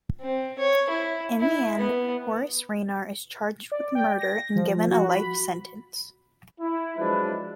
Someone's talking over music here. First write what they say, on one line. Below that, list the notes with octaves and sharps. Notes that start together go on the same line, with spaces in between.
In the end, Horace Rayner is charged with murder, and given a life sentence.
C4
C#5
E4
E4
B3
D5
G5
A#6
F3
F#4
B5
E4
F3 F#3 G#3 D4 E4 B4